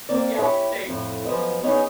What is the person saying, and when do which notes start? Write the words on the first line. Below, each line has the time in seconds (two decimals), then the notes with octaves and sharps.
Yep. Thanks.
0.09 A#3 C4 D5
0.39 E4 G4 C#5
0.86 F2 A2
1.25 F#2 F3 B3 D#5
1.63 B3 C#4 D#4 G#4 C#5